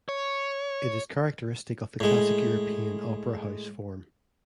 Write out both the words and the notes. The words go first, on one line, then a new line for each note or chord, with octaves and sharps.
It is characteristic of the classic European opera house form.
C#5
A2 G#3